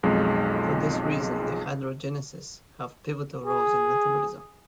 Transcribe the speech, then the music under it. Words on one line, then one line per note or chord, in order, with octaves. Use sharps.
For this reason, dehydrogenases have pivotal roles in metabolism.
B1 F2 G#3
G#4